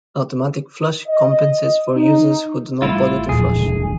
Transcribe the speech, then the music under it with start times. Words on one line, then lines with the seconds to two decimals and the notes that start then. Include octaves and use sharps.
Automatic flush compensates for users who do not bother to flush.
1.07 D#5
1.95 D#4
2.82 A1 A2 G3 E4 F4
3.29 D1 E2 A#2 F3 G#4
3.60 D3 A3